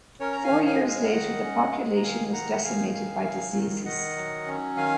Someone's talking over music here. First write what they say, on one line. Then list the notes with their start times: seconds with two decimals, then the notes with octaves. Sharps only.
Four years later, the population was decimated by diseases.
0.20 C#4 A#4 C#5
0.32 A#5
0.44 F5 G#5
0.51 D#3
0.66 F5 G#5
0.82 G#3
0.89 F5 G#5
1.03 F5
1.12 D#3 D#5 F#5
1.43 C#4
1.72 G#3
1.96 A#5
2.02 D#3 F5 G#5
2.33 D#3 F#5 A#5
2.53 F#5
2.63 D#3 F5 G#5
2.94 D#3 F5 G#5
3.25 F#3
3.55 D#3
3.85 D#3 D#5 F#5
4.16 F#3
4.47 C#4
4.77 D#3 F5 G#5